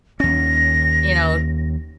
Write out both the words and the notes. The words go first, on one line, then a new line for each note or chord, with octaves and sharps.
you know,
D#2 C#4 A#6